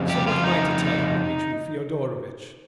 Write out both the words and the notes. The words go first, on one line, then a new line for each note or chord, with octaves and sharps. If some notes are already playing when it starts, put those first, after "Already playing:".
So what am I to tell her, Dmitri Fyodorovitch?
Already playing: F2 C#3 G3
G4
F4
D#4